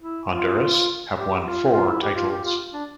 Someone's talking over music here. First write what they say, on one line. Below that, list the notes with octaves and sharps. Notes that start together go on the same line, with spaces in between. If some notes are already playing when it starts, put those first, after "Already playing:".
Honduras have won four titles.
E4
F4
G4
F4
F4
E4
G4
F4
G4
F4
D4